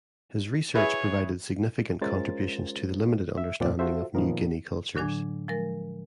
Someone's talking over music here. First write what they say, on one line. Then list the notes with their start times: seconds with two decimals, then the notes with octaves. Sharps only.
His research provided significant contributions to the limited understanding of New Guinea cultures.
0.75 E4 G#4 B4 C#5
2.01 G#3 C#4 F4 A#4 C5 A6
3.38 E5
3.60 D#2 A#2 F3 C4 D5
3.79 F4 F#4 A4 C5 E5
4.15 A#2 D#3 F3 B3 A#4
4.96 A2 D3 F#3 D4 G#5 G#6
5.48 F3 G#3 A#4